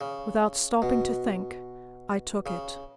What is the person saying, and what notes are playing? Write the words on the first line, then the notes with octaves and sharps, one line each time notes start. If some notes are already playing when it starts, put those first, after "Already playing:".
Without stopping to think, I took it.
C#3
B2
C#3